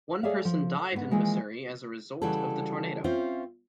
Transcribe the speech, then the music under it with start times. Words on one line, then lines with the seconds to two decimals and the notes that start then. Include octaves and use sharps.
One person died in Masury as a result of the tornado.
0.23 G#4 A4 C#5 D5 E5 F5
0.45 F3
0.92 G#2 B3
1.11 E3 F3 G#3 A#3
2.22 C#3 E3 F#3 G3 G#4 A4
3.04 C4 C#4 F4 C5 E5